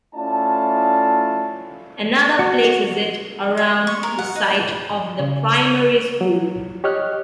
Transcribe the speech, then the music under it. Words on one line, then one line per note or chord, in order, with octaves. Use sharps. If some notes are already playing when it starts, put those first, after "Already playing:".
Another places it around the site of the primary school.
A3 C#4 E4 F4 D5 A5
F#4
E5
C#6
A#4
F#5
D#4
C#3
F#3
G4 C#5 D#5 F6 F#6